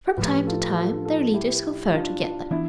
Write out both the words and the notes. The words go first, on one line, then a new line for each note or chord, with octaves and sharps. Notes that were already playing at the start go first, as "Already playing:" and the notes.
From time to time their leaders conferred together.
A2 F3 A3 G4 B4
F4 A4
F4 A4
F4 A4
E4 G4
D4 F4
D4
E3 B3 D4 E4